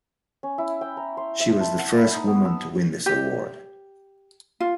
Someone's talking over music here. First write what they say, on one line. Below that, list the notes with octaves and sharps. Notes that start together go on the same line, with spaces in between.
She was the first woman to win this award.
C#4
E4
G5
A#5
C6
E5
A5
F#5
B5
D#4
B3
E6
G4
F4